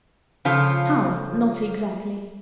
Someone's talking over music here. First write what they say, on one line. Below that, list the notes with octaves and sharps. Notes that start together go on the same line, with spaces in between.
"How, not exactly?"
C#3 F3 F4 A4